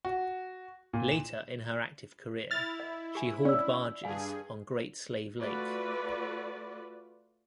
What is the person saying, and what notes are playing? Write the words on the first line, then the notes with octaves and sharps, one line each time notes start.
Later in her active career she hauled barges on Great Slave Lake.
F#4
A#2
E7
E4 F6 A6
D#5
G4 G#5
C#4 D5 E6
G2 G#4 F5 G#5 A5
A3 F4 F#4 B4 D5